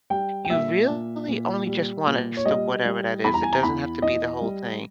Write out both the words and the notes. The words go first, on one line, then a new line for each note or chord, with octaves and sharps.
you really only just want it as to whatever that is, it doesn't have to be the whole thing.
G3 G5
G5
A#2 E5
A#2
A#2
G3
A#2
C#5
G3 D#5
G3
E2 B5
A#5
G#5
A#5
E2 B5
E2 D#5
G3